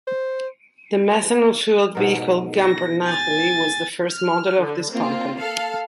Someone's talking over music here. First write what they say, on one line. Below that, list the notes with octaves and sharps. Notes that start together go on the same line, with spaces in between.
The methanol fueled vehicle Gumpert Nathalie was the first model of this company.
C5
G#2 B2 A#4
A#6
G#5 A6
F6
D3
A#3 C4 F4
A4 F5